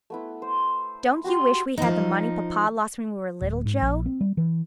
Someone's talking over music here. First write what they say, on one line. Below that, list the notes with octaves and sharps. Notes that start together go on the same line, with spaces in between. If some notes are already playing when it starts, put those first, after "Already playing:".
Don't you wish we had the money Papa lost when we were little, Jo?
A3 B3 E4
C5
F#4 G4 B5 C6
F3 D#4
D1
G#2
A#1
C4
G3
E3